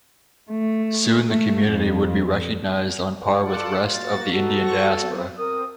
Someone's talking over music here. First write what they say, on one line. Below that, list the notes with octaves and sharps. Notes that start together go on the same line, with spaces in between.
Soon the community would be recognized on par with rest of the Indian diaspora.
A3
A3
F2
F4 A4 D5 F#5
A#3 F#4 A6
D#4 F#4 A4
C5 C#6 A#6
F#3 B3 C4
C4 A#4 D#6